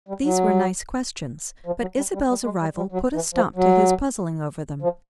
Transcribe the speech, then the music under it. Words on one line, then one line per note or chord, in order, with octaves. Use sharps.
These were nice questions, but Isabel's arrival put a stop to his puzzling over them.
G3
F#3
F3
F#3
G3
G3
G3
G#3
G3
G3
F#3
E3
F3
F#3
F3